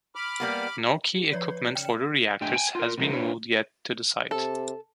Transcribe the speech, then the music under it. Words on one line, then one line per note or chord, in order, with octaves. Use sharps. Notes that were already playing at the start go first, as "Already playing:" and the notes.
No key equipment for the reactors has been moved yet to the site.
B5 D6 F6
G3 A#3 B3
G4
F3 B4 C#5 D5
C#3 G5 C#7 E7
A2 D4 G4 D#5 G5 G#5
G5 G#5
F4 A#4
C3 F3 G#3 C4 A#4
D4 E4 B4 C#5
C3 A4